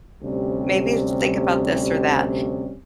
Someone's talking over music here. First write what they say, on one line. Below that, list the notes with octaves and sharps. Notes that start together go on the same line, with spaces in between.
maybe think about this or that."
D2 C3 G3 C#4